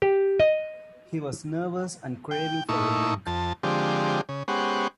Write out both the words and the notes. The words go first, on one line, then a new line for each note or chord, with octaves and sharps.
He was nervous and craving for a drink.
G4
D#5
G5
A#2 A3 D#4 E4 C#6
F2 A5
D3 F3 G#3 C4 G4
C#3
G#3 B3 C#4 G4 C5 F#5